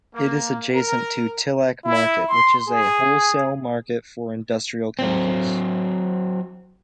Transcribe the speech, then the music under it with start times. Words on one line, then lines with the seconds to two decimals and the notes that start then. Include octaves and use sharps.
It is adjacent to Tilak Market which is a wholesale market for industrial chemicals.
0.15 A#3
0.75 A#4
1.85 E4
2.29 C6
2.68 G#4
4.99 F#3 C4